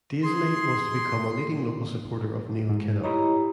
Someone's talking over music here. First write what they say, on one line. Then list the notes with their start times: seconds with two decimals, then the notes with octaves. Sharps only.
Daisley was to become a leading local supporter of Neil Kinnock.
0.23 G#4 C6
2.69 G#2
3.03 E4 G4 C#5 D#5 A#5 B5